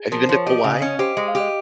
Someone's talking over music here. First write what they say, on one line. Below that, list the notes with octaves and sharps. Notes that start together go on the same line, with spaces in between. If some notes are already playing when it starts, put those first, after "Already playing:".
Have you been to Kauai?
Already playing: G#4
F3 A#4
C5
F3
C#5
G4 D#5
C#3 F5
C#4 D#5
G4 C5
G#3 D#5
F5
G4
D#5